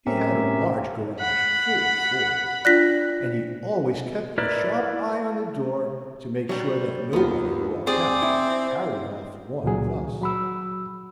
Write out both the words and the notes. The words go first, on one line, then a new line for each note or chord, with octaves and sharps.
He had a large garage full of fords, and he always kept a sharp eye on the door to make sure that nobody who walked out carried off one of us.
A2 C4 C#4 G4 A#4 E5
F#5 B5
D4 F4 D5 F#6 A#6 B6
E4 A#4 B4 D5
F#3 G3
D#2 B3 F4
C4 G#4 D5
E4
C#2 A#2 D#3 F#3 G#4
F#3 B5 E6